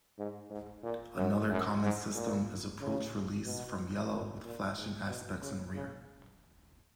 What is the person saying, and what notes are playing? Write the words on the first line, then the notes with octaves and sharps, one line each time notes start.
Another common system is approach release from yellow with flashing aspects in rear.
G#2
G#2
A#2
F#2
F#2
G#2
A#2
C#3
B2
A#2
A#2
G#2
B2
C#3
C#3